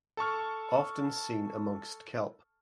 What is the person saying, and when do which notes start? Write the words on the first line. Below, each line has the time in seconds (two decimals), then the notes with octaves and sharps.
Often seen amongst kelp.
0.17 A4 A5 C#6 F6